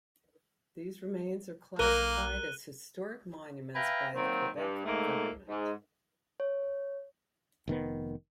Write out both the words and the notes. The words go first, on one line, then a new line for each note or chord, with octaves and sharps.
These remains are classified as historic monuments by the Quebec government.
B1 A#3 A#4 F#6 D#7 G7
B4 E5 F5 G5 G#5 A#5
D#3 F#3 A#3 C4
G2
G#2 A3 A#3
G#2
C#5
F1 D#3 B3